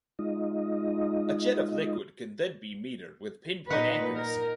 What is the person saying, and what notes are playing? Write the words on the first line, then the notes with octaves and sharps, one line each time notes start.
A jet of liquid can then be metered with pinpoint accuracy.
G#3 D#4 F4 D#5
A#2 D#4 B4 F#5
A#4